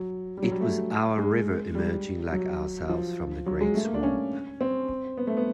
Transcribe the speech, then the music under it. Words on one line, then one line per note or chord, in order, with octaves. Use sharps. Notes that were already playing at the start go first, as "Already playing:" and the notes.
It was our river emerging like ourselves from the great swamp.
Already playing: F#3
G3
F#3
G3
A3
G#3
G3
F#3
F3
F#3
G#3
A3
A#3
D4
C#4
C4
B3
A3
B3